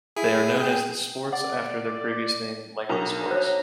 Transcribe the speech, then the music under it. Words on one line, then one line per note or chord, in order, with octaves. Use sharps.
They are known as The Sports after their previous name as Langney Sports.
E4 G#4
G5
D5 F#5
B1 D4 A#4 A#5 C#6
C5 C#5